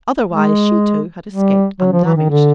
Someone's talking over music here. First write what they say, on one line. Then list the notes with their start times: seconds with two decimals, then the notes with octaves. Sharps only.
Otherwise she, too, had escaped undamaged.
0.32 G#3
1.31 G3
1.80 F#3
1.92 F3
2.05 E3
2.17 D#3
2.29 D3